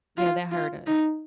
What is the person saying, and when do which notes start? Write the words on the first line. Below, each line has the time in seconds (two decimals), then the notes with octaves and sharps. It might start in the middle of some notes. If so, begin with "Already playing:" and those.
Yeah, that hurt us.
0.17 F4
0.51 F4
0.87 D#4